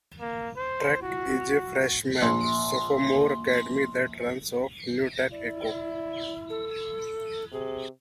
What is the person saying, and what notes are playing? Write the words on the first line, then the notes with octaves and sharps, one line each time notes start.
Trek is a Freshman-Sophomore academy that runs off New Tech: Echo.
A#3
C5
F#4
A#1 C6
E4 D5
A4
C3 G#4